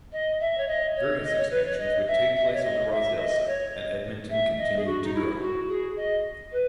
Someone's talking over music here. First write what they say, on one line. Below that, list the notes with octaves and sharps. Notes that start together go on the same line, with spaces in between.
Various expansions would take place on the Rossdale site and Edmonton continued to grow.
D#5
E5
C#5
D#5
C#5
D#5
C#5
B4
C#5
D#5
E5
E5
D#5
C#5
D#5
E5
D#5
C#5
D#5
E5
D#5
G#4
F#4
D#4
E4
F#4
G#4
D#5
B4